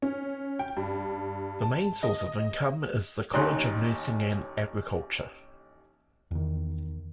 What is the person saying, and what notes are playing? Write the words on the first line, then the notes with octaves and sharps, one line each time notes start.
The main source of income is the College of Nursing and Agriculture.
C#4
G5
G2
A5
D#5
A1 D#2 D#4 C6 F#6
E2 D#3